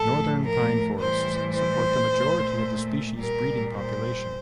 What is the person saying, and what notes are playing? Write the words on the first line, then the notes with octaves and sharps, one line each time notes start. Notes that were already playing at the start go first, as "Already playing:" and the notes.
Northern pine forests supports the majority of the species breeding population.
Already playing: A2 F3 A3 A4
A#4
A2 E3 G3 C5
C5
A#2 A3
A#2 G3 A#4
C5